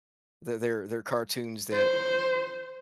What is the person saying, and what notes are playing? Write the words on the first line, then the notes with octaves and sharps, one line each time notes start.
They they're they're cartoons that
C5